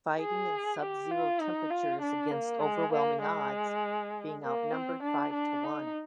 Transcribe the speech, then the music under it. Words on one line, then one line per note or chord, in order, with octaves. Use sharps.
Fighting in sub-zero temperatures against overwhelming odds, being outnumbered five to one.
G#4
G4
F4
D#4
F4
D4
A#3
G#3
A#3
G#3
A#3
C4
D4
D4
D#4